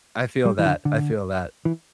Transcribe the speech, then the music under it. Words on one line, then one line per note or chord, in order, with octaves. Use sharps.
I feel that. I feel that.
G3
E3
D3
D3
E3